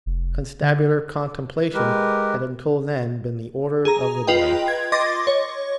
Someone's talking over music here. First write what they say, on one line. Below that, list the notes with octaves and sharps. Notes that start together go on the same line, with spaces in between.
Constabular contemplation had until then been the order of the day.
F1
D3
G#3 G4 A#4 B4
G#4 A#5
F4 B4 D#5 G5
G#6
D#5 C6 D6 A6 A#6
C#5